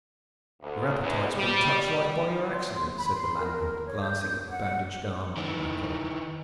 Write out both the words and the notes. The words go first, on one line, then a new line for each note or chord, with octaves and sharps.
"Your appetite's been touched like by your accident," said the landlord, glancing at the bandaged arm under my coat.
D2
E2
G3
G3
C6
B5
C6
A#4
C#5
G6
F#5
D#3 E3